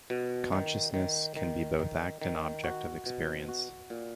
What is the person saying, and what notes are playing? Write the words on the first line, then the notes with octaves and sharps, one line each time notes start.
Consciousness can be both act and object of experience.
B2
D#3
D#3
D#3
D#3
D#3
F#4
B2
F#4
A#2